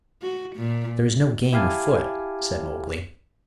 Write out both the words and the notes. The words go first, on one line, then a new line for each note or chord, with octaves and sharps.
"There is no game afoot," said Mowgli.
F#4
A#2
E4 G4 F5 G#5 A5